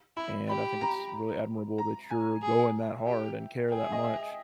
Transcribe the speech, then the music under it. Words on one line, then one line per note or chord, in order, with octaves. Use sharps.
and I think it's really admirable that you're going that hard and care that much,
E4 B5
G4 B5
A#5
A#5
G#5
G#4
E5
G4 G5
G#4 G5
E5
D#5
E5